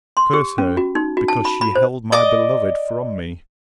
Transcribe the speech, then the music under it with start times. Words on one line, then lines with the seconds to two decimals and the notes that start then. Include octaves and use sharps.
"Curse her, because she held my beloved from me."
0.17 C6
0.33 G4
0.58 C#4
0.77 F#4
0.95 D#4
1.17 F#4
1.28 A5
1.45 B5
1.61 B5
1.75 C5
2.12 D5 D#5 D6